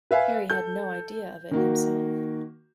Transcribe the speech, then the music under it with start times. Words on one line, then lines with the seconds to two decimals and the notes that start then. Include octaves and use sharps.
Harry had no idea of it himself.
0.11 B4 E5 F5 G#5
0.50 A4 G6
1.51 D#3 A#3 F#4